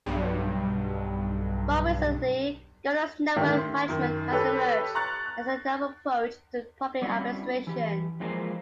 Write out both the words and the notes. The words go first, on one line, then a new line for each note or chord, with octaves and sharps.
More recently, Governance Network management has emerged as a novel approach to public administration.
B1 G2
A2 D3 D#3 C#4 G4
C6
F#2 D#3
G4 A4 B4 C#5
A#5 C#6 F#6 A6
F#6
G3 C4 C#4 D#4 E4 F#4
E3 G4
F2 E3 G#3 A#3 F4 C5